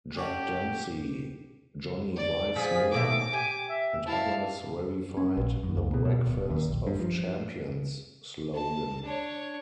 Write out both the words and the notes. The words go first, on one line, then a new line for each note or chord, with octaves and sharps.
Jack Dempsey, Johnny Weissmuller, and others verified the "Breakfast of Champions" slogan.
C#4 D4 F#4 G4
D5
F3 G#4 B6
D#2 B2 E5 D6
G4 G#5
E5
E4 F5 A5
C#4
A#1
F#2
C#2
B2
B2
D1
D#2
A#1
G2
F3
A5
D4 C#5